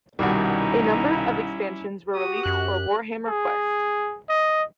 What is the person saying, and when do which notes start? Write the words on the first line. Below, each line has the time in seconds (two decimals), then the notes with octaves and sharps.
A number of expansions were released for Warhammer Quest.
0.19 C2 B2 D#3 G3 C#4 D#4 E4 F#4
2.15 F#4 G4 D#6
2.46 F#2 F#6
3.28 G#4
4.30 D#5